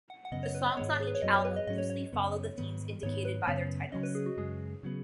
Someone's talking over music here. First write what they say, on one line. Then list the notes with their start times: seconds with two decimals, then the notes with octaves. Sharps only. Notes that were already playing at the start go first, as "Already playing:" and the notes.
The songs on each album loosely follow the themes indicated by their titles.
0.10 F#5
0.25 F#5
0.32 F#2 C#3 B3 D#5
0.43 C#5
0.55 B4
0.66 C#5
0.77 G#2 D#3 G#3 B3 C#5
1.00 G#4
1.07 B4
1.15 C#5
1.22 F#2 F#3 B3 D#5
1.34 C#5
1.45 B4
1.56 D#5
1.67 G#2 F#3 C#4 D#5
1.78 C#5
1.90 C#5
2.13 F#2 C#3 B3
2.58 G#2 D#3 B3
3.03 G#2 D#3 B3 C#5
3.25 B4
3.47 F#2 C#3 B3 C#5
3.92 C#3 F#3 C#4 D#5
4.03 B4
4.15 G#4
4.26 F#4
4.37 F#2 C#3 G#3 G#4
4.83 C#3 F#3 B3